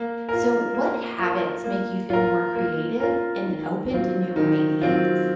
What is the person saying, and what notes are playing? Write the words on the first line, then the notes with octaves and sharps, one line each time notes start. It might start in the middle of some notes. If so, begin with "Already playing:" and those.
So, what habits make you feel more creative and open to new ideas?
Already playing: A#3
F4 A#4
A#3
F4 A#4
A#3
F4 A#4
A#3
F4 A#4
D#3
F#3 C4 F4
D#3
F#3 C4 F4